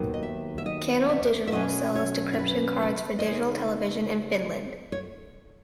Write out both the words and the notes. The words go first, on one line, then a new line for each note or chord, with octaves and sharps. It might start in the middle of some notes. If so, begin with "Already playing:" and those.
Canal Digital sells decryption cards for digital television in Finland.
Already playing: D#2 D#3 F#3 B3
D#5
E5
E5
D#5
E5
E5
B2 F#3 C#4 D#5
C#5
C#5
B4
B4
D#5
C#3 G#3 D#4 C#5
C#5